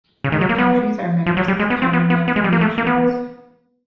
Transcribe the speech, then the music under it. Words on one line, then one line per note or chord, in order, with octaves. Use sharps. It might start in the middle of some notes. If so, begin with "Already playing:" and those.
Both countries are members of the Commonwealth of Nations.
C#3
D#3
F#3
A#3
B3
F3
F#3
G3
G#3
B3
C4
B3
B3
B3
G#3
G3
A#3
A3
A#3
B3